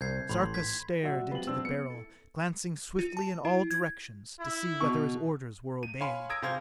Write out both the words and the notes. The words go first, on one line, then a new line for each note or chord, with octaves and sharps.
Sarka stared into the Beryl, glancing swiftly in all directions, to see whether his orders were obeyed.
C2 G6 G#6 C7
A1 A2 B5 C6
G#6 B6
A#2 F#3 F#4 D5 E5 F#5
F#3 G#3 C4 F4 G4 B4 F#7
C4 D4 E6
B3 C#7
E4 A4
F4
A5
E4
G#6
E4
B2 C#6
D#7
C#5 F5 G#5 B5 C6
D#6 E6 G#6 A#6 D7
C3 G#4 C5 F5 G#6